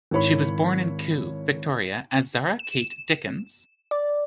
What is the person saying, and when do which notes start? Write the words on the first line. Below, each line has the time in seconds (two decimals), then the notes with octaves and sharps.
She was born in Kew, Victoria as Zara Kate Dickins.
0.11 G#1 E4 C#5 B5
2.59 E7
3.91 D5